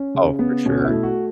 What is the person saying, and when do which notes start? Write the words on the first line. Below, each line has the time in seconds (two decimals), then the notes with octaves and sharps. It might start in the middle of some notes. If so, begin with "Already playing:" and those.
Oh, for sure.
Already playing: C#4
0.15 C#3
0.39 B3
0.65 B2 C#4
0.79 F#4
0.84 E4
0.91 A3
1.03 F#4